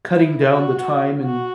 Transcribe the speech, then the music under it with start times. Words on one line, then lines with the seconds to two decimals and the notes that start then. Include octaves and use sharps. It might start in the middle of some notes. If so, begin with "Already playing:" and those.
cutting down the time and
0.14 E4
0.50 F#4
1.24 F#4